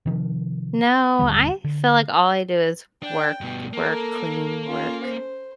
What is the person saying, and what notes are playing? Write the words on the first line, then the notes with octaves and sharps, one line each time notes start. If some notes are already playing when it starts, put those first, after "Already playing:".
No. I feel like all I do is work, work, clean, work,
C3 D#3 F3
G#1 D#2 D3 G3
D3
D4 G5
G2 B2
A#3 A4 A#4
C#4 F4
C5